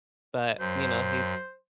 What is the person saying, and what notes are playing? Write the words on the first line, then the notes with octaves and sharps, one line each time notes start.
But you know, he's
F#2 C5